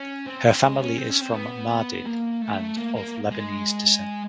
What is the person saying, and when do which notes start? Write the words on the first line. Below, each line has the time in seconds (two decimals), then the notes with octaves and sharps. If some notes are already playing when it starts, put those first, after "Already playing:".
Her family is from Mardin and of Lebanese descent.
Already playing: C#4
0.26 C4
0.63 G#3
0.80 C#4
0.98 C4
1.10 C#4
1.22 C4
1.34 B3
2.06 A#3
2.41 A3
2.77 A#3
2.96 A#3
3.31 G#3